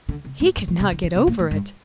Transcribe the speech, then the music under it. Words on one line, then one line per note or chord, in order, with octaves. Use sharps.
He could not get over it.
D3
C3
A2
G2
A2
C3
D3
D#3
C3
A#2
A2
G2